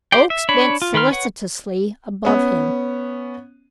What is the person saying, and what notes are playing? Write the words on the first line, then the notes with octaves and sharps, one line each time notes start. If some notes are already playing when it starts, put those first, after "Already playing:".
Oakes bent solicitously above him.
G4 C5 D5 G5
E5
D4 C#5 B5
F4
D#3 B4 C6 F6
B4 C#5 F#5
B3 C#4